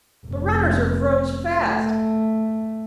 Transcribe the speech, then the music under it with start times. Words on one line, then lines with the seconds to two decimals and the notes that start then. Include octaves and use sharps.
The runners are froze fast.
0.26 F1
1.54 A3